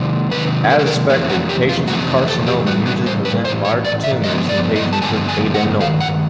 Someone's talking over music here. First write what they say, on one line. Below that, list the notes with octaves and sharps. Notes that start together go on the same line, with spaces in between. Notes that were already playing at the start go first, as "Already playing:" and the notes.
As expected, patients with carcinoma usually present larger tumors than patients with adenoma.
Already playing: C3 D#3 G#3 C4
C3 D#3 G#3 C4 B4
A#4
A4
A#4
F2 C3 E3 A3 C4 G#4
F#4
G4
F4
F2 C3 E3 A3 C4 F#4
A4
G4
A2 E3 G3 F#4
F#4
C5
B4
G3 C5
A2 E3
C#5
D5
E5
G2 D3 F3 G#3 B3 D#5
D5
D#5
A5
G2 D3 F3 G#3 B3 G#5
G#5
F#5
G2 D#3 F5
F#5